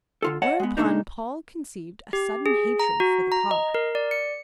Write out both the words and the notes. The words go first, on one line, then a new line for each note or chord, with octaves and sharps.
Whereupon Paul conceived a sudden hatred for the car.
D3 F4 A4
C#5 D#5 F#5 A5
G#3 B3
C#2 A#2 F3 A3 D4 D#4
G4
G#4
A#5
F#4
A#5
D#5
A#4
D5
C#7